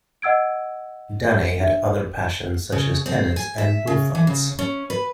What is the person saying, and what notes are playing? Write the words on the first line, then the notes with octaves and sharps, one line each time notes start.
Daney had other passions such as tennis and bullfights.
D#5 F#5 E6 G#6 D7
D4 E5
C#3
C4
G#5
E5
C#3
E3
C#3
C#4
B4